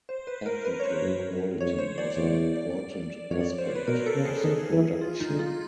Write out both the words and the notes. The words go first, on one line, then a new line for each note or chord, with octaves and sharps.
Technical quality was an important aspect of the production.
C5
B4
A#4
B4
C#5
C5
F#2
F#2
F2 C#5
C5
D5
E2
F2 C#5
D5
C#5
C5
B4
B2 A#4
A4
C#3
G#4
D#3 G#4
E3
F4
D#4
D3
F4